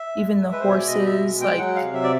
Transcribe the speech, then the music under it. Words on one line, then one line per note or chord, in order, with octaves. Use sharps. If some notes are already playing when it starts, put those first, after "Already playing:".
even the horses, like,
Already playing: E5
G#3
G#3
B4
B2 C5
C#5
D5
B2 D#5
G#3 E5
G#3
G5
F#3 F#5
F5
C3
E5
D5